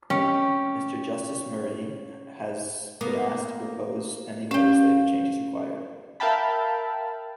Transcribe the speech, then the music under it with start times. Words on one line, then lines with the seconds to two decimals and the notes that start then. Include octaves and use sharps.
Mr Justice Murray has been asked to propose any legislative changes required.
0.10 C#4 G4
3.01 A#3 B3
4.51 C#4 G4 F5
6.20 A#4 E5 F5 G5 A5 B5